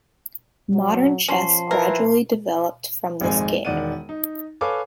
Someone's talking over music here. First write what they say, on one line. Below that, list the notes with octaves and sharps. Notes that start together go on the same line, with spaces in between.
Modern chess gradually developed from this game.
F#3
F3 C#4 A5 C6 C7
E3 A#4
G#1 F2 A#2 G#3 D#4 G#5
E1 D#3 D5 F#5 D#7
D#4
A4 B4 C#5 F5 G#5 D6